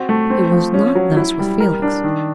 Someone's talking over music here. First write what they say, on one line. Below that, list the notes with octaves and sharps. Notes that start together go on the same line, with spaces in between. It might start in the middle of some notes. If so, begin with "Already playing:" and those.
It was not thus with Felix.
Already playing: C4 F#4
A3
C4
F3
C#4
F#3
E4
G3
A#4
D4
D#3